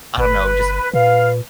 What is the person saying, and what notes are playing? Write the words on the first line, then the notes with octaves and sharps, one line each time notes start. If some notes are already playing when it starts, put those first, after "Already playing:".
I don't know, just
G1 B4
A#2 B4 F5